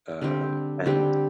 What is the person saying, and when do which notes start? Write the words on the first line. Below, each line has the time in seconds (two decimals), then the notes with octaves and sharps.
Um, and
0.21 D3 G3 C4 G4
0.86 D3 G3 C4 G4